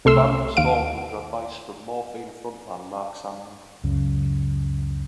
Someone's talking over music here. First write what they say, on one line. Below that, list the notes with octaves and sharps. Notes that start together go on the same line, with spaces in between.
The band was formed under advice from Morphine frontman Mark Sandman.
C2 A3 C6 E6
D#2 F5 D7
C#2 F#2 C#3